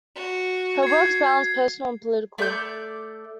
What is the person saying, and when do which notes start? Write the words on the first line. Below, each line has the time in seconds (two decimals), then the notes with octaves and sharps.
Her works balance personal and political.
0.16 F#4
0.83 G#6 C7
2.38 A3 D5 F#5 G6